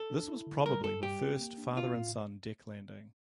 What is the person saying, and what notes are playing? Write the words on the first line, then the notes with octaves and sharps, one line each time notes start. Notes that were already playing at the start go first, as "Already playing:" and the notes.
This was probably the first father-and-son deck landing.
Already playing: A4
D4
E4
D3
G3 A#4
G2 A4
G3 G4
C4
A#3
D4
C4 F4
A2